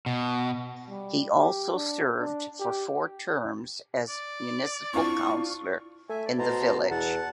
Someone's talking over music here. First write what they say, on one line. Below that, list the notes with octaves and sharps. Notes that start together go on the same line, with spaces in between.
He also served for four terms as municipal councilor in the village.
B2
G3
G4
D4
D4
G4
D5
C4 D4 E4 F4 C#6
A3 E5 G#5
D5
B2 C5 A5 A#5
E2 F#5 A5